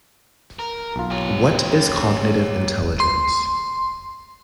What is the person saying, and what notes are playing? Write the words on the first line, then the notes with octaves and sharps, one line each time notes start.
What is cognitive intelligence?
A#4
B1 F4
G4 C#5
F#2
C6